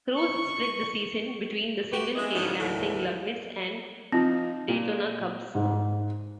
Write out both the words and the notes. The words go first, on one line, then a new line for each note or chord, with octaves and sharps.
Cruz split the season between the Single-A Lansing Lugnuts and Daytona Cubs.
C#6
F#4 G4 B4
E3 G#3 E4 G#4 D#5 E5
A2 D3 F3 G3 C#4 D#4
D#2 A2 D3 E3
F3 C4 D#4
A#2
G#2